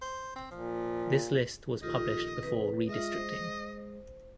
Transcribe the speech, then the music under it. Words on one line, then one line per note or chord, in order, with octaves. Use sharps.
This list was published before redistricting.
C5
C4
A#2 F3
A#1 D#3 F4 G4 A4 D#5
C3 E3 A4 B4
G#3 F4 D#5 E5
C5